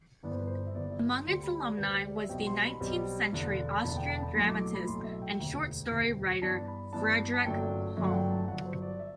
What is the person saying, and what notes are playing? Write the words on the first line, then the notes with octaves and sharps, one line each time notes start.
Among its alumni was the nineteenth-century Austrian dramatist and short-story writer, Friedrich Halm.
G1 G2 E3 B3 D5
C5
B4
C5
E5
G1 G2 E3 B3 D5
E5
C6
D2 C3 G3 C6
B5
D5
D2 C3 G3 B4
C5
D5
E5
B1 B2 G3 C4 G5
C6
B5
B1 B2 G3 C4
E1 E2 D3
B5
E1 E2 D3 A5
G5
A5
B5
B1 A2 F#3 A3 C6
D6
D6
B5
B1 A2 F#3 A3 C6
E5
G5
E1 D2 C3
E1 D2 C3
G2 E3 B3 D4 A5
B5
G2 E3 B3 D4 A5
A5
G1 F#2 F#3 A3 D4 G5
G1 F#2 F#3 A3 D4 E5
F#5
G5
A5
G1 G2 F#3 F#5
C5
D5
E5